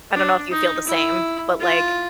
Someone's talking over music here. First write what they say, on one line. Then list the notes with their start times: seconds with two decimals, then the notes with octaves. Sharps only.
I don't know if you feel the same, but, like,
0.14 D4
0.51 D#4
0.87 E4
1.60 F4